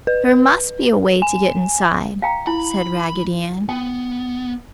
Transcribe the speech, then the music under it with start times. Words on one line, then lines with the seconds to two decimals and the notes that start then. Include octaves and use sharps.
"There must be a way to get inside," said Raggedy Ann.
0.07 B4
1.22 G#5
2.22 F5 G5 A#5
2.47 E4 B5
3.69 B3 G5